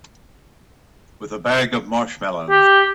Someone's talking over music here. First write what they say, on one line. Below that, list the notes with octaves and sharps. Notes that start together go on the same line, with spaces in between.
With a bag of marshmallows.
G4